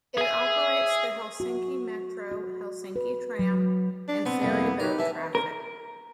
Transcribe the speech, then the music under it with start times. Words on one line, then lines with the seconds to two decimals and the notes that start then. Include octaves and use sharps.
It operates the Helsinki metro, Helsinki tram and ferry boat traffic.
0.17 G#4 E5 G#5
1.40 F#4
2.32 F#4
2.96 B4
3.39 F#3
4.09 D4
4.26 B3 C4
4.41 C2 F2 A#3 E4
4.80 D#4 G4 A#4 B4
4.99 E3 E5 A5
5.35 A#4